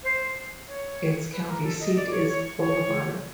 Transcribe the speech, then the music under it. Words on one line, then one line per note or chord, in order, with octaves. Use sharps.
Its county seat is Bolivar.
C5
C#5
B4
A#4
A4
D#5
D5
C#5
C#5
C#5